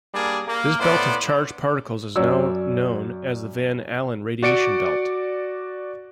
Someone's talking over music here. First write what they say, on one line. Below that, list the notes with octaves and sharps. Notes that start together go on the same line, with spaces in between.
This belt of charged particles is now known as the Van Allen radiation belt.
G3 A#3 D4 G#4
A#3
A2 B3 C5 D5
F#2 C#5 D5 E6
F#4 D5 C#7 D7